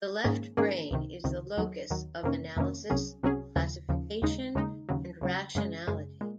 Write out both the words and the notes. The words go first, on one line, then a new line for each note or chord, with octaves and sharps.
The left brain is the locus of analysis, classification, and rationality.
G#2 D#3 A#3 C#4 G#4
G#2 D#3 A#3 C#4 G#4
C#2 C3 D#3
C#2 C3 D#3
D#2 D#3 F#3
D#2 D#3 F#3
F2 C3 D#3 A#3 C#4
F2 C3 D#3 A#3 C#4
C2 C3 F#3 C#4 G#4
C2 C3 F#3 C#4 G#4
D#2 C#3 F3
D#2 C#3 F3
D#2 C#3 G#3 D#4
D#2 C#3 G#3 D#4
D#2 C#3 F#3
D#2 C#3 F#3
F#2 C#3 G#3
F#2 C#3 G#3
A#2 G#3